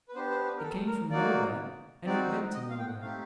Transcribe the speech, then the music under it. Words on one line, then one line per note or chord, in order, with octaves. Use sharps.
It came from nowhere, and it went to nowhere.
B4
B3 D4 G4 C5
C5
B4
A#4
A4
A#4
A#3 D#4 F#4 D5
C4 D#4 F#4 D5
D#5
F5
G5
F#5
A3 C4 D#4 G4 F5